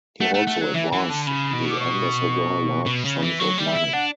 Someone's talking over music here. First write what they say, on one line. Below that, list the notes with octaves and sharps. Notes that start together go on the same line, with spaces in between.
He also advanced the ambassador large sums of money.
A3 F#5
A3
A3
F#3
E3 E5
E3 F#5
D3 A5
C#3 B5
B2
D6
C#6
B2
C#3
E3
F#3 C#6
G3
E5
E4
D4 F#5